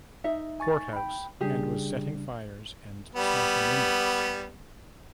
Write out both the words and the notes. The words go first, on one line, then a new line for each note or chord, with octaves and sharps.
Courthouse and was setting fires and smashing windows.
D#4 E5
G#5 C#6 A6
G5 B5
C#3 G3 D4 G4 G#4
G3 B3